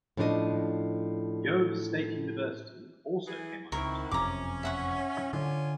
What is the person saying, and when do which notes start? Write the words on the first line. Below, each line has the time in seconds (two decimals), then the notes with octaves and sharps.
Yobe state university also came under attack.
0.17 A2 F3 C#4 D4 B4 D#5
3.26 E3 G#4
3.72 C#2 D#3 C4 E4 A#4 C#6
4.11 F#1 F2 C3 C#4 A#5 D6
4.63 E5 F#5 C#6
5.33 D3 F4 C#5 G#5